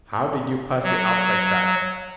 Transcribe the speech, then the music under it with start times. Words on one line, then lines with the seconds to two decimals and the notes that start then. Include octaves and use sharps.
"How did you pass the outside guard?"
0.83 F#3